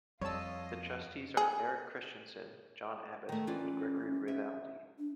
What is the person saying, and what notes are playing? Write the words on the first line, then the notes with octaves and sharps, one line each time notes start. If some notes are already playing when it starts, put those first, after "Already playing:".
The Trustees are Eric Christensen, John Abbott and Gregory Rinaldi.
F2 G3 F4 C#5 D#5 A5 E6
G#4
D#3 A3
E3 C#4 F4 D5
E5
D4